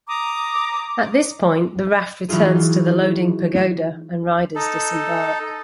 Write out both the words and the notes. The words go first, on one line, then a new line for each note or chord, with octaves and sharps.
At this point the raft returns to the loading pagoda and riders disembark.
A#5 D6 D#6
E3 F#3 D#4 F4 G#4
D#4 A4